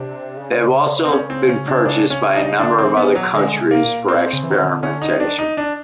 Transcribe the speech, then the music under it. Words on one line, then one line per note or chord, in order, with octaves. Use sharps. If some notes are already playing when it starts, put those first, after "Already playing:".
They have also been purchased by a number of other countries for experimentation.
Already playing: C3 D4
C#3
C4
C#4
C4
C#4
D4
C#3 D4
C#4
D#4
D3 D4
C4
E3
B3
F#3
D3 G#3
C3
A#3
A#2
C4
C#3
E3
D#3
D3
D3 C#4
D#4
D#3
D4
D#4
D4